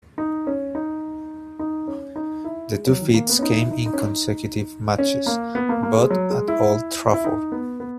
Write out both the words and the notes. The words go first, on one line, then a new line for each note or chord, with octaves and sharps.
The two feats came in consecutive matches, both at Old Trafford.
D#4
C#4
D#4
D#4
C#4
D#4
E4
G#3
F#3
D#3
A#3
B3
C#4
D#4
E4
D#4
D#4
C#4
D#4
C#4
A#3
B3
A#3
A#3
G#3
F#3
G#3
E4
E4
D#4
B3
B3